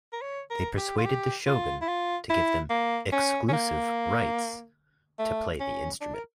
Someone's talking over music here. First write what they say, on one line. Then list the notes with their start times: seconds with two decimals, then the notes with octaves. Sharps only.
They persuaded the Shogun to give them "exclusive rights" to play the instrument.
0.13 A#4
0.22 C#5
0.50 A#4
0.77 G4
0.97 F4
1.05 G4
1.47 F4
1.81 E4
1.88 F4
2.30 E4
2.70 A#3
3.12 C#4
3.48 C#4
3.53 A#3
5.19 A3
5.60 C#4
6.01 D4
6.14 A#4